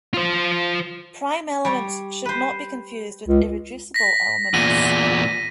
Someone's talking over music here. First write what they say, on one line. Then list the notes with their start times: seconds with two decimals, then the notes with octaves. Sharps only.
Prime elements should not be confused with irreducible elements.
0.14 F4 C5
1.65 G3 C#5
2.26 B4 C5
3.28 C#2
3.94 A#6 B6
4.54 E2 A#2 D#7